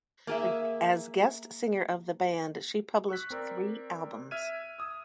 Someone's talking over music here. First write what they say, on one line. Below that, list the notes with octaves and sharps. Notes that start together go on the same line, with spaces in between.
As guest singer of the band she published three albums.
A#3 G#4 E5
C#6 E6 F#6 B6
C4 A#4 D5
E5 F6 G#6 D#7
D#6 E6